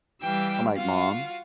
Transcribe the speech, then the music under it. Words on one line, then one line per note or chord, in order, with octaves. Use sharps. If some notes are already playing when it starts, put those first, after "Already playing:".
I'm, like, "Mom,
E3 G3 F5 G5 E6
F4 F#4 F5